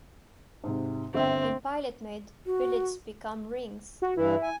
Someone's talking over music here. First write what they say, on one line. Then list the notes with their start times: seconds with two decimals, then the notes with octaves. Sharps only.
In pilot mode, bullets become rings.
0.64 G#2 C3
1.15 G1 C4 E5 G5
2.46 F#4
4.02 F#4
4.17 G2 E3 E4
4.43 G#5